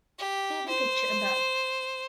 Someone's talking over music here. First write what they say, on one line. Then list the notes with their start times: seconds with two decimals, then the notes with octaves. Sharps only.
See the picture above.
0.19 G4
0.69 C5